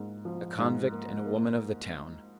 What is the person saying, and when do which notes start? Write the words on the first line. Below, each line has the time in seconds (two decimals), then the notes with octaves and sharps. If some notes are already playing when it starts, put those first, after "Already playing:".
A convict and a woman of the town.
Already playing: G#2 A#3
0.25 F3
0.58 G#2
0.92 A#3
1.26 A#3